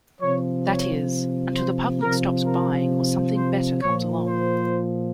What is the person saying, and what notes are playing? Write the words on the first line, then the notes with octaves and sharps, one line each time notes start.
That is, until the public stops buying or something better comes along.
C3 F3 C#5
C#5
C5
C3 F3 A#4
A#4
C5
A#2 F3 C#5
C5